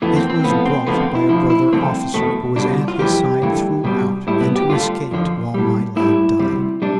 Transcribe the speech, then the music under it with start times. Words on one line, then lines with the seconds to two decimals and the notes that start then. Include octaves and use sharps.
It was brought by a brother officer who was at his side throughout, and who escaped while my lad died.
0.02 F2 E3 A3 B3
0.16 C4
0.30 C4
0.44 A2 F3 A3 B3
0.65 C4
0.87 F2 D3 F3 A3 B3
1.00 C4
1.15 E4
1.29 D2 D3 F3 E4
1.50 E4
1.72 G2 D3 F3 A3 C4
2.14 E2 B2 A3
2.56 C2 B2 G3 D4
2.88 F4
2.99 F2 E3 G3 G4
3.42 G2 E3 A3
3.84 C2 B2 G3
4.27 A2 G3 E4
4.41 B3
4.55 G4
4.69 G2 D3 A3 F4
5.11 F2 D3 F3
5.54 A2 G3
5.96 A2 G3 E4
6.39 D2 C3 G3
6.82 C3 G3 D4